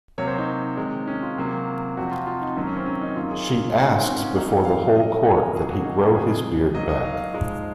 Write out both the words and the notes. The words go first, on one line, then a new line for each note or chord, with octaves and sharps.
She asks before the whole court that he grow his beard back.
C3 F#3 A#3 C#5
C5
D#4
C3 D#3 G#3
C#4
F4
C3 F#3 A#3
F2 C3 F3 F#4
F4
F4
D#4
F#2 D#3 F#3 A#3 C#4
C#4
C4
C#4
D#4
F#2 D#3 A#3 F4
G#4
G#2 D#3 G#3 F#4
F4
C4
C#4
C#4
F#2 F3 A#3 D#4
C#5
F5
F#2 F3 G#3 D#5
C#5
A#4
C3 F#3 A#3 G#4
F#4
D#4
C#4
F2 C#3 G#3 G#4
G#2 F#3 A#3 D#5
D#5
F5
G#2 F3 G#3